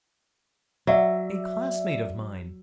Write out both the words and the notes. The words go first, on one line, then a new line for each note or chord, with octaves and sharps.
"A classmate of mine."
F#3 D5 E5